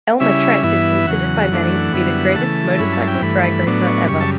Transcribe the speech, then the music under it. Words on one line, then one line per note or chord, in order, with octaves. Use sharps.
Elmer Trett is considered by many to be the greatest motorcycle drag racer ever.
C#3 G3 C#4 E4 E5
G2 E3 B3 E4
E2 C#3 F#3 F#5
F#2 E3 A3 D4
F#2 D3 G3 B3 E4
C#3 E3 A3 A5
G2 F#3 C#4 E4 B5
A5
G5
G2 E3 A3 B5
B5
A2 F#3 B3 D4
C#6
F#2 C#3 G3 C#6
A5